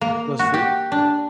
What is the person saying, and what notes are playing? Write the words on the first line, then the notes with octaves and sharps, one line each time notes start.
It was free?
A#3
F#4
G4
D4